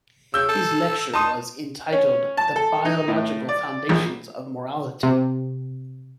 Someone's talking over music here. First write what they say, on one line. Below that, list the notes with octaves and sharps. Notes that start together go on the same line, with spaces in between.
His lecture was entitled "The Biological Foundations of Morality".
C#3 E6 G6
A4
D#4 A5 C6 D#6
C#4
A5
A4
D#4
A2
D5
A#1
C3